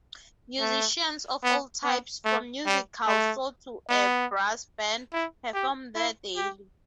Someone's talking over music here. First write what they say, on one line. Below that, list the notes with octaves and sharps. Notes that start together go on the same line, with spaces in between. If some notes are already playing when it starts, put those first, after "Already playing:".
Musicians of all types, from musical saw to a brass band, perform there daily.
A3
B3
B3
A3
G3
A3
B3
E4
G4
E4
G4